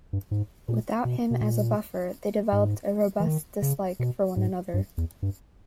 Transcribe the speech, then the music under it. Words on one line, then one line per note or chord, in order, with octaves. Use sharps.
Without him as a buffer, they developed a robust dislike for one another.
G2
G#2
A#2
B2
B2
A#2
G#2
E3
D#3
C#3
B2
G#2
G2
E2
G2